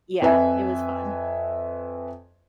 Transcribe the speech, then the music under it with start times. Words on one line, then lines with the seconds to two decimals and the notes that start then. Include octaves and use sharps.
yeah, it was fun.
0.22 F2 B4 E5 G#5